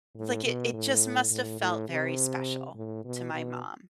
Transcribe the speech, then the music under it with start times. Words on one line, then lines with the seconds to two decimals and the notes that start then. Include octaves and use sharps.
like, it it just must have felt very special to my mom,
0.16 A2
0.44 B2
0.73 A2
1.31 A2
1.60 A2
1.89 C3
2.76 A2
3.05 B2
3.33 B2